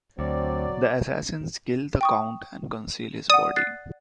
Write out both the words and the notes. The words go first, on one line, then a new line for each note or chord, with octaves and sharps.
The assassins kill the Count and conceal his body.
D2 F#3 C4 D5
G5 C#6 D#6
D5 F#5 D#6
F#6 A6 C7